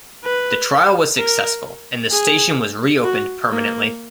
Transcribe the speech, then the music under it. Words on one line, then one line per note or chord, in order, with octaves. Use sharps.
The trial was successful, and the station was reopened permanently.
B4
A#4
G#4
F#4
A#3